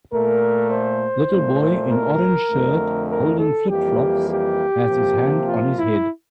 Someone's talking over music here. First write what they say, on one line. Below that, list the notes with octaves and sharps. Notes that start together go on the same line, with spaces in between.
Little boy in orange shirt, holding flipflops has his hand on his head.
A#2 A3 A#4
C5
A#2 A3
A#4
F2 D3 A3
A#4
A4
F2 E3 G3 A#3 G4
G4
C3 F3 A#3
F4
E4